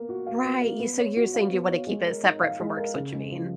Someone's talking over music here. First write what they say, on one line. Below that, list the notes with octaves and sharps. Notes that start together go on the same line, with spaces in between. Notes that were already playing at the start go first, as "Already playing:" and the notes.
Right. You so you're saying you wanna keep it separate from work, is what you mean.
Already playing: A#3 B3 A#4
F#4
F5
B3
A#4
B3
C#5
F#4
F5
B3
C#5
G#3
A#4
D#4
F5
G#3
A#4
C#3
G#3
F3